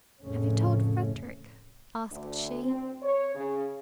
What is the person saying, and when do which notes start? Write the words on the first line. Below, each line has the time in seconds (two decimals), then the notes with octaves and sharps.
'Have you told Frederick?' asked she.
0.24 F1 F2 A2 C#3 A3 C#4
2.11 D2
2.63 C4
3.03 C#5
3.34 C#3